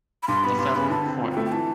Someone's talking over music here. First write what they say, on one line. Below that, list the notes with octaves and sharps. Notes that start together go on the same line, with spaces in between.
The federal court.
B5
G2 C6
B3 B5
G2 C6
B3 B5
D3 A5
C4
F4
G5
A3
G5
E3 A5